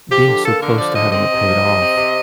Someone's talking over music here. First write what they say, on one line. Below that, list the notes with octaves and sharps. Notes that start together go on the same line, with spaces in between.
being so close to having it paid off,
F3 G4
D3
A#3 A4
D3 A#4
F3 D5
D3 D#5
C4 D#5
C3
F3
C3
C4
C3